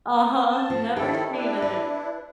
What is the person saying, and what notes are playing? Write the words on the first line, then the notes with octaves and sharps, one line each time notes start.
Uh-huh. Never seen it.
B3
A5
F3
D#3 E4 G4 A4
D4 E4
B4